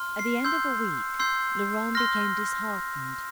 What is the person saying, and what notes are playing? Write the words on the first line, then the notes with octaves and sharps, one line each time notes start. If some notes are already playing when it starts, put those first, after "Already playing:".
At the end of a week, Laurent became disheartened.
Already playing: C6 F6
C7
C6 E6 G6
C6 E6 G6 C7
C6 F6 A#6